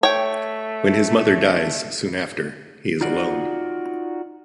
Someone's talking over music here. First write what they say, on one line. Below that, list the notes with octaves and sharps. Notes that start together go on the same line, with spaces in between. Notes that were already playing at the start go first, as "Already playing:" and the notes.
When his mother dies soon after, he is alone.
A3 C#5 G5
D#4 F4 F#4 D5